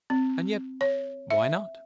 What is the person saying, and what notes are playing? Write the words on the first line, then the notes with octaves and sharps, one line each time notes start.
And yet--why not?
C4
C#5
E5